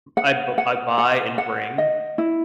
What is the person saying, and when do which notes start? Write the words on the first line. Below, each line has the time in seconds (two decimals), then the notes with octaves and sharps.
I b I buy and bring
0.17 F#5
0.58 F#5
0.98 F#5
1.38 F#5
1.78 D#5
2.18 E4